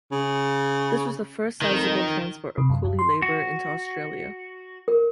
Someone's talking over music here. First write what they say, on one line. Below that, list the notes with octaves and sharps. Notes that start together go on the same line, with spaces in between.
This was the first sizeable transport of coolie labour into Australia.
C#3
F2 D#3 D#4
C3
F#2
F#2
C6
F#4
A#4